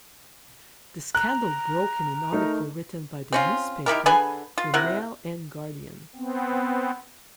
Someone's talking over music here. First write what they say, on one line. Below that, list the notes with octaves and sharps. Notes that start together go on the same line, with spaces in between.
The scandal broke in an article written by the newspaper the Mail and Guardian.
A#5 F#6
A3 D#4 A#4
C4 C#4 F4
D#3 E4 G4 A#4
D3 G#4 B4 G#5
F4
C3 E4 A#4 F#5
B3 C4